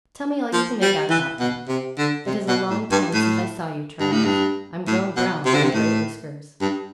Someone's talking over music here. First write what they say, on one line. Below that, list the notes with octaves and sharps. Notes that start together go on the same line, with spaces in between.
Tell me all you can make out about him. It is a long time since I saw you, Charles; I'm grown brown, and great whiskers.
F3
G3
E3
B2
C3
D3
C3
B2
A2
G2
A2
G2
A2
G2
A2
B2
C3
D3
C3
A2
G2